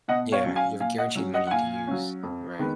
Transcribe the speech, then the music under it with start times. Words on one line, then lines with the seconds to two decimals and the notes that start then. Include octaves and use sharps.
Yeah. You have a guaranteed money to use. Right?
0.08 B2 D#5 F#5
0.32 C#5 F5
0.44 F#3 C#4
0.56 F5 G#5
0.80 A#2 F5 G#5
0.98 D#5 F#5
1.15 F#3 C#4
1.34 D#5 F#5
1.47 F#5
1.51 A#2 F5 G#5
1.87 F#3 C#4
2.23 F2
2.59 D#3 G#3 B3